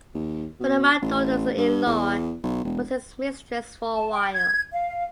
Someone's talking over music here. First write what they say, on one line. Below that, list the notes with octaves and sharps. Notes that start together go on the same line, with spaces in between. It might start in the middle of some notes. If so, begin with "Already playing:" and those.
One of my daughters-in-law was his mistress for a while.
D#2
B2
A1
G2
E2
B1
E1
A5
G5
G#6
F5